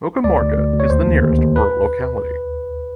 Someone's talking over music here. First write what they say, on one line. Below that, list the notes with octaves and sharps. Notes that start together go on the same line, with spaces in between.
Mukhomorka is the nearest rural locality.
D2 D5
D2
D2
D2
C#5
D#2 C5
D#2
D#2
D#2
B4